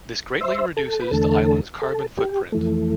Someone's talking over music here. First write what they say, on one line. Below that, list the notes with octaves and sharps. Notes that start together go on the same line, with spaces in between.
This greatly reduces the island's carbon footprint.
C5 E5
A4
B4
E2 D3 A3 A4
A4
G4
F2 E3 A3